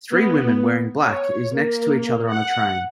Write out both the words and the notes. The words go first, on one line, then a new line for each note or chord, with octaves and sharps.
Three women wearing black is next to each other on a train.
B3
C#5
A#3
F#5